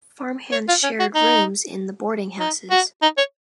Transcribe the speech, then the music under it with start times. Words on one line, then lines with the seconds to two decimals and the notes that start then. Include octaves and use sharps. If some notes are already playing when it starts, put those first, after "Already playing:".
Farmhands shared rooms in the boarding houses.
0.52 C#5
0.68 F4
0.83 C#4
1.00 F#4
1.15 D#4
2.40 D#4
2.71 F#4
3.02 D#4
3.18 C#5